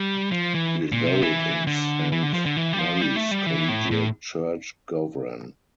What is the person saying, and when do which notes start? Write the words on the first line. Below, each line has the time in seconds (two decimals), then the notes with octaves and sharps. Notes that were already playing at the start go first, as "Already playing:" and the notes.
He is buried in Saint Mary's Collegiate Church Gowran.
Already playing: G3
0.32 F3
0.54 E3
0.92 A#2
1.07 C3
1.22 E3
1.67 D3
2.12 E3
2.23 D3
2.34 F3
2.46 D3
2.57 E3
2.73 G3
2.79 F3
3.01 G3
3.16 A3
3.31 G3
3.46 E3
3.69 A2
3.91 A2